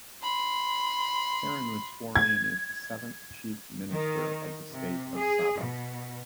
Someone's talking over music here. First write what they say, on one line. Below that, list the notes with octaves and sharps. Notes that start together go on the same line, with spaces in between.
Pairin was sworn in as the seventh Chief Minister of the state of Sabah.
B5 C6
G#6
D#3
C3
G#4
B2